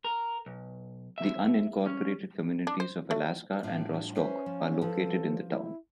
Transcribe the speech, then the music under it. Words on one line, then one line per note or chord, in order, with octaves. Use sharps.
The unincorporated communities of Alaska and Rostok are located in the town.
A#4
B1
E5
C#4
D4
C5
A3
A2 D4 F4
C#4 B4 C5 E5
F3
F3 A4 B4
E4